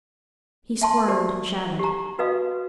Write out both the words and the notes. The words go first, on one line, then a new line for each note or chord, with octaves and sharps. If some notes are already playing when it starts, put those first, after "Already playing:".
He squirmed and shouted.
E5 A5 C6
G4 C5 D5
G4 A#5
F#4 B4 D#5 F5 D#6